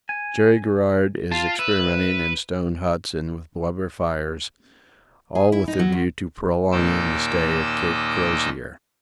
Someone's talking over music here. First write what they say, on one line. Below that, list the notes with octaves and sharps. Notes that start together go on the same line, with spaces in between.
Cherry-Garrard is experimenting in stone huts and with blubber fires--all with a view to prolonging the stay at Cape Crozier.
G#5
F4 A5
B4 E5
G#4
E4
D#4
F#3
E2
D#2 A#2 D#4 D#5 D6 E6